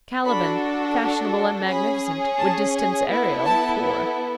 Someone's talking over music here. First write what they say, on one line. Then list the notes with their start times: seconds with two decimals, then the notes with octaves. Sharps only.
Caliban, fashionable and magnificent, would distance Ariel, poor.
0.24 D4 F#4 A4 B5
1.67 C#4 G#4 B5
2.37 A5
2.73 G#5
3.09 B3 E4 A4
3.44 A5